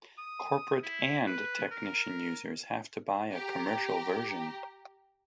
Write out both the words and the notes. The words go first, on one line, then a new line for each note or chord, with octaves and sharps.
Corporate and technician users have to buy a commercial version.
D#6
E4
B4
A#4
G4 A#5